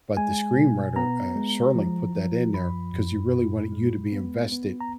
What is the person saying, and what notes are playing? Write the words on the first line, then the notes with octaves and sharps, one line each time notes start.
But the screenwriter, uh, Serling, put that in there 'cause he really wanted you to be invested
G#3 G#5
B2
B3 A#5
G#3
F3
F3
F#2 B5
F#2
A#2
G#3
B3
B3
A#5